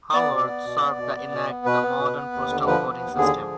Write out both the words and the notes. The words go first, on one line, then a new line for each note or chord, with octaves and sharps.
Howarth served to enact the modern postal voting system.
B3 D5
B2
B3
B2
B3
B2
B3
B2
B3
B2 B4
B3
B2
B3
D#2
D3
F3 B4
B3
D#2
D3 G#4
F3